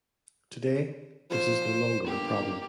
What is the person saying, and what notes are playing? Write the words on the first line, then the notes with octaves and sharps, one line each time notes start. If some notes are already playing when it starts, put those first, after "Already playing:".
Today, this is no longer a problem.
F3 C5
G1 A#3 G4